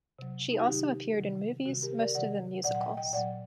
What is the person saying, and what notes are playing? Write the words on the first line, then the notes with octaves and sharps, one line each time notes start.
She also appeared in movies, most of them musicals.
C3 F#3
D#4
F#4
C3 D#3 F#3 D#4 G4
C3 D#3 F#3
C3 D#3 G3 F#4
G4 A#4
A#4 D5
C3 D#3 G3 D5 F#5
A#2 F#3 D5 F#5
F#5
D#5 G5
D#5 G5
A#2 F#3 D5 F#5